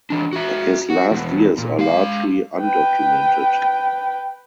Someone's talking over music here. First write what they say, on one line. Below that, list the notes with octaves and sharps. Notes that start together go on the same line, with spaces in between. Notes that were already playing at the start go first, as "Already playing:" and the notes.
His last years are largely undocumented.
E3 D4
F#4 E5
F#4
E2 B2
A#2
G#3 F5
B4 G5